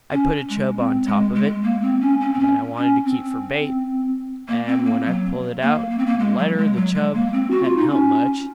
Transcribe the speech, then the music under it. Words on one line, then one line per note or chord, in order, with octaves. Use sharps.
I put a chub on top of it that I wanted to keep for bait, and when I pulled it out--the letter--the chub hadn't helped much.
C#4
G#3
C4
G#3
G#3
A#3
C4
C#4
C#4
C4
C#4
C#4
C4
A#3
C4
A#3
F#3
A#3
A#3
C4
A#3
G#3
F#3
G#3
F#3
G#3
A#3
C4
F#4
F4
D#4
C#4